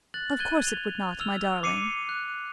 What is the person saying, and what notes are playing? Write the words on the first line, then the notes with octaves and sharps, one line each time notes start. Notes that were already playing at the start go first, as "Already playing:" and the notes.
"Of course it would not, my darling."
F#6 A6 F#7
F#6 G#6 D#7 G7
F7 G7
E6 F6 F7 G7
D6 C7 C#7 D#7
F#6